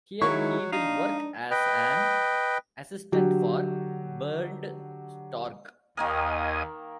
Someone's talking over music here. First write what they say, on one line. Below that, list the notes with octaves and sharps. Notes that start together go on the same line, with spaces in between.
Here he will work as an assistant for Bernd Storck.
D#3 F#3 G#3 E4 C#6
D4 D#4 F5
B4 D#5 G5
D3 F#3 F#4 G4
D#2 D#3 A#3 A#4 D#5 G#5 D#6